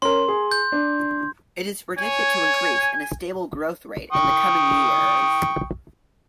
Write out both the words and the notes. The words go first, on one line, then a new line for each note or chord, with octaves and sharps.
It is predicted to increase in a stable growth rate in the coming years.
C#4 A#4 C6
G#4
G6
D4
C#5 G#5
G5 C#6 D#6